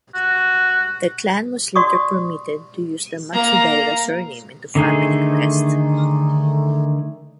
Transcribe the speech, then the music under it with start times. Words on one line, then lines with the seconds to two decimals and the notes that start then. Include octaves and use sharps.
The clan was later permitted to use the "Matsudaira" surname and to family crest.
0.14 F#4
1.76 F#4 D5 C#6 D#6
3.33 A#3 A#5
4.75 D3 D#3 A3 D#4 G#4